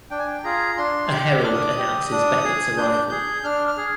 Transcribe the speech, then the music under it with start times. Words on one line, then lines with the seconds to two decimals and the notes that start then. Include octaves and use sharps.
A herald announces Becket's arrival.
0.11 D4 G5
0.19 G#5
0.27 G5
0.44 F4 G#4 A#5
0.77 D4 C6
1.11 G4 D6
1.44 D4 F6
1.53 D#6
1.61 D6
1.69 D#6
1.77 G4
2.11 D4
2.44 G#4
2.77 D4 G6
2.93 G6
3.09 G#4 G6
3.44 D4 F6
3.67 F6
3.77 G#4